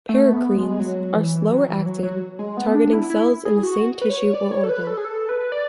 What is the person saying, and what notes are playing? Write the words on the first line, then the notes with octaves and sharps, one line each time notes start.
Paracrines are slower acting, targeting cells in the same tissue or organ.
A3
B3
G#3
F#3
E3
F#3
E3
F#3
F#3
G#3
B3
D4
E4
E4
G#4
F#4
B4
C#5
D5
C#5
A4
B4
A4
G#4
A4
B4
D5